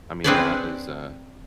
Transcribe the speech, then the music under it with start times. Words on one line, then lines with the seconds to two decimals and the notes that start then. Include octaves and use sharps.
I mean that is a
0.24 C4 D4 G#4 B4 C#5 D5